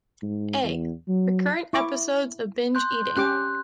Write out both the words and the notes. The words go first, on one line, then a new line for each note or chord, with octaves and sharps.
A. Recurrent episodes of binge eating.
G#2
E2
F#3
E4 C#6 D6
C6 F#6 G6
C#4 G4 D6 F#6